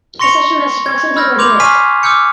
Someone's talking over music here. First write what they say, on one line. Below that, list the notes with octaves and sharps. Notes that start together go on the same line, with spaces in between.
A session lasts approximately forty minutes.
C6 C#6 A#6 C#7 F7 G7
G#6
B5 E6 F6 G6 A#6
C6 D6 G6 F7 F#7
G#5 C#6 F6 B6 C7 D#7
D6 E6 F6 G6 C#7